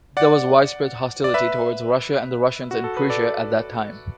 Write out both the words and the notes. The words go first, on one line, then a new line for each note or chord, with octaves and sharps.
There was widespread hostility towards Russia and the Russians in Prussia at that time.
D5 F#5
D5
B4 E5
F#4
A4
B4
A4 D5